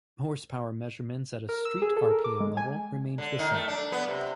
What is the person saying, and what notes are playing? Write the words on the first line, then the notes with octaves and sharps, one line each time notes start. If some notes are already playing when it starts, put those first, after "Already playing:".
Horsepower measurements at a "street" rpm level remained the same.
A#4
E6
G#4
A4
A#4
D6
G#3
G#5
D3
D#3
A3
D4
B3
C3